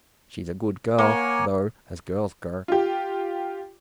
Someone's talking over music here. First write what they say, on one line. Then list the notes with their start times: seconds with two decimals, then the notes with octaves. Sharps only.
She's a good girl, though, as girls go.
0.98 A#3 C#5 F#5 G#5
2.68 F4 G4